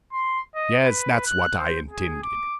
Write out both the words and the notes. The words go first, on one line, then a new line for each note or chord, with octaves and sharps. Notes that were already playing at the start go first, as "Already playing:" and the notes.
Yes, that's what I intended.
C6
D#5
B4
F#6
C5
G#4
D6